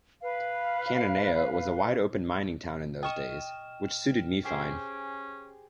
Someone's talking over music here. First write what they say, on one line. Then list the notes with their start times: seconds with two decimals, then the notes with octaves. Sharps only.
Cananea was a wide-open mining town in those days, which suited me fine.
0.22 B4 F5
3.03 D#5 G5 C#6 F6 E7
4.45 C#4 G4 G#4 C5